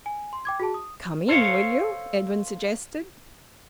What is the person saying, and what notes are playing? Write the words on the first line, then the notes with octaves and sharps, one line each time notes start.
"Come in, will you?" Edwin suggested.
G#5
C6
G5 D6 G#6
F#4 G#4 A5
D#6
A4 C5 C#5 F5